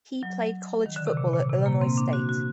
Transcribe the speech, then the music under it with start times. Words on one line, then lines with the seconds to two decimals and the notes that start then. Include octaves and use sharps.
He played college football at Illinois State.
0.23 F#3
0.86 D#3
0.96 D3
1.07 C3
1.17 A#2
1.34 A#2
1.49 C3
1.66 A#3
1.81 C4
1.97 D4
2.13 F#4
2.29 F#4